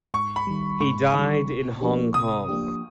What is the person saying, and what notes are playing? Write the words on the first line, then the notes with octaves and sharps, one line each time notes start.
He died in Hong Kong.
G#2 C#6
B5
D#3 G3
G#2 C#6
D#3
G3
C3
F3 A#3 D4 G4
C3 D#6
F3 A#3 D4 G4